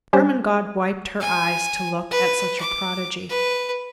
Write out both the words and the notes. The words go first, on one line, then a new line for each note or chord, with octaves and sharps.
Ermengarde wiped her eyes to look at such a prodigy.
G3 C#4 G4 C5
G#5
B4
D6
B4